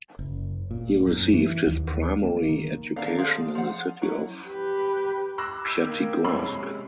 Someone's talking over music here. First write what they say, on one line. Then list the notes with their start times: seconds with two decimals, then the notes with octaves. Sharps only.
He received his primary education in the city of Pyatigorsk.
0.19 F#1
0.71 A#2
1.07 F#2
1.33 E3
1.66 D#2
2.24 A#3
2.49 D#3
2.96 A#3 D4 A4 F5
3.18 C4 G#4 A4 F5
3.55 F3 F#5
4.02 F#3 C#4 E4
4.44 G4 B4
5.38 B5 D6 E6 F#6 A#6 E7
5.66 E6 G6 G#6 B6 D7
5.85 D#3 A#3
6.24 C2 F2 G#3 C#4 B5 E6
6.41 C3 G#3 C#4